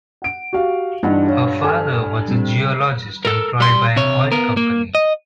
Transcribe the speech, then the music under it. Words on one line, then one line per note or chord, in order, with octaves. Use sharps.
Her father was a geologist employed by an oil company.
F#5 D7
F#4 G4 F5
G2 E3 G3 D4 D#4 F4 F#5
C#5 F5
A4 G#5 F6
G3 C4
A4 A#4
G3 C6
C3 C#5
B3 A#4
A#3
D#5